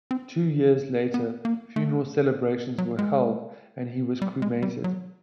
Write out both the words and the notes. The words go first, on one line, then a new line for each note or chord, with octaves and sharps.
Two years later funeral celebrations were held and he was cremated.
C4
B3
A#3
A3
F#3
G#3
G3
G#3
G3
F#3